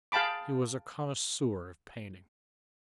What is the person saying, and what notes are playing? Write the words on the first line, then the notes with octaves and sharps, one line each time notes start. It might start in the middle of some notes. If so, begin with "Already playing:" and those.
He was a connoisseur of painting.
G#4 F5 G5 A5 B5 D6